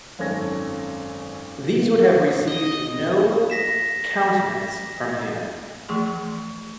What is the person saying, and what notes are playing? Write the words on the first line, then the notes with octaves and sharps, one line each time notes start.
These would have received no countenance from him.
G#1 F#2 C#4 A4 G#6 A#6
D#5
A#6 B6 E7
E3 F3 A3 G#4 C6